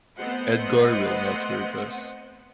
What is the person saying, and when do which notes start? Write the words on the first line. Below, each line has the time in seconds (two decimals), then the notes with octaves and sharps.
Edgar will not hurt us.
0.18 A3 B3 C4 C5 D#5 F#5